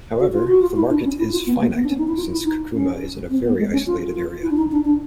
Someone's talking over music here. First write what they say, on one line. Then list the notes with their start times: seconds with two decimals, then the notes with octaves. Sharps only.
However, the market is finite, since Kakuma is in a very isolated area.
0.20 F#4
0.33 F4
0.48 F#4
0.62 F4
0.76 E4
0.90 D4
1.04 C#4
1.19 E4
1.32 F4
1.46 B3
1.61 A#3
1.74 B3
1.84 D4
1.89 C#4
1.98 D#4
2.08 E4
2.17 F4
2.32 E4
2.45 D#4
2.74 C#4
3.30 C4
3.44 B3
3.59 G#3
3.72 C#4
3.87 F4
4.15 F4
4.42 E4
4.50 D4
4.57 D#4
4.72 D4
4.85 D4